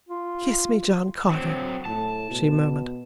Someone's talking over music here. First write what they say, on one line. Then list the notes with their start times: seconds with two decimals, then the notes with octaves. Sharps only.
"Kiss me, John Carter," she murmured.
0.09 F4
1.31 D2 F#3 C4
1.85 A2 A5
2.31 B2